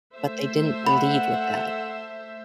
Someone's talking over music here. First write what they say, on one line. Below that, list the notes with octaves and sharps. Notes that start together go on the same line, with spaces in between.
but they didn't lead with that.
A3 C5 E5
F#5 B5